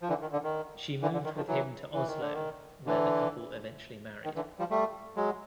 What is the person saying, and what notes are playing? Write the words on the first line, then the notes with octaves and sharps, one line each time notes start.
She moved with him to Oslo where the couple eventually married.
F3
D3 E3
D#3
D3
D#3
D3 E3
D3
D#3
D#3 F3
E3 F#3
E3
D#3
D3
D#3
D3 E3
D#3
D3 E3
F3 G3
G3 A3
F#3 G#3